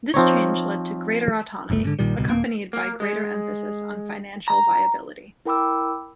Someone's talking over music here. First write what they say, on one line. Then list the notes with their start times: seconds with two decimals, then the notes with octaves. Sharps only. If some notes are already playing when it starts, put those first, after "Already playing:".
This change led to greater autonomy, accompanied by greater emphasis on financial viability.
0.14 F3 C4 D#4 C#5
1.70 G1 C#2 D#3 A3
1.83 G#2 B2 D3
1.99 A#1 A#2 D#3 G3
2.17 D1 C2 B2
2.30 D#1 A#3
2.73 A#3
3.00 G#3
4.48 A#5
5.45 E4 A#4 G5 B5 D6 E6